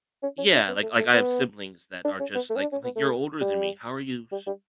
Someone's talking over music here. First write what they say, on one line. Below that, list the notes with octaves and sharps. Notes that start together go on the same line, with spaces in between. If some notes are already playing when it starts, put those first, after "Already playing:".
Yeah, like like I have siblings that are just, like I'm like, "You're older than me, how are you, s
C#4
C#4
D4
B3
A3
A3
B3
D4
C#4
B3
A3
C#4
D4
C#4
B3
A3
G3
G3
G3